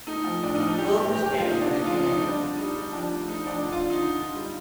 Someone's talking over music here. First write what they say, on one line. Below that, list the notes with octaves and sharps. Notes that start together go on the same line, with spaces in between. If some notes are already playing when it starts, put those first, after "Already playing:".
Both his parents are Nigerian.
A3 D#4
F3
A2 D4
D#4
F3
D#4
A2 G4
A2 G4
A2 G4
G4
A3
F4
A#2 D#4
D4
A3
D#4
F3 F4
F3 D#4
G3 D4
D3
G3 D#4
G3
F3 D4
A3
A3 D#4
F3 D4
D3
F4
D3
D#4
D3
D3
G3